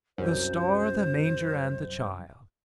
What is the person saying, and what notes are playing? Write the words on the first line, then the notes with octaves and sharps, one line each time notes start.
"The star, the manger, and the Child!"
C2 F#2 C5